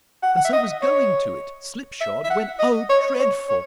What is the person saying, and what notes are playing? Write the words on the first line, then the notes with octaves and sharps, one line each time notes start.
And so was going to it slip-shod, when, O dreadful!
F#5
F#5
E5
D#5
C#5
E5
E5
F#5
D#5
C#5
C#5
C#5